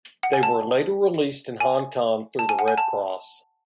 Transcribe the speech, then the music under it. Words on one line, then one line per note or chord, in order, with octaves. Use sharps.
They were later released in Hong Kong through the Red Cross.
F#5
G#5
A5
G#5
A5
G#5
F#5
G#5
A5